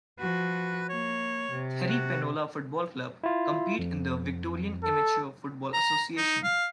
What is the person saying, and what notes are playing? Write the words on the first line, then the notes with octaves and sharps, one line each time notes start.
Therry Penola Football Club compete in the Victorian Amateur Football Association.
F3 F#4 B4
A#3 C#5
C3
F#4
E4 F4
F2
A4
A#5
D#4
F5